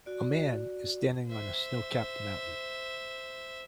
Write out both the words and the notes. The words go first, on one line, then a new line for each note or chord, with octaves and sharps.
A man is standing on a snowcapped mountain.
F#4 D5
C5 E5